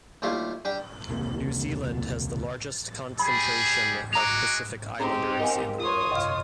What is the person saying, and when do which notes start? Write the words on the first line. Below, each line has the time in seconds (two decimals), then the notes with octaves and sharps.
New Zealand has the largest concentration of Pacific Islanders in the world.
0.22 D#2 G3 A3 E4 F4
0.65 G3 D4 G4
1.09 E1 C#2 C3 A#3
3.19 G3 G#4 B5
4.13 G#3 F#4 A#5 D6 F7
5.00 C4 C#4 D#4 G4 G#4 A#5
5.40 A#4 D#5 F5 F#5 G#5
5.78 F4 C#5 C6 D#6
6.11 F#2 C3 D#5 F5 F6